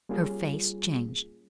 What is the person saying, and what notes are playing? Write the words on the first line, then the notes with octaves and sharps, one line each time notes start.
Her face changed.
G3 A#3 C#4 F4 G#4